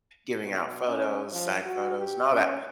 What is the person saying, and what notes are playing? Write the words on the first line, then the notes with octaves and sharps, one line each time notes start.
giving out photos, signed photos and all that,
B2
C#4
F3
F#4
G4
C#4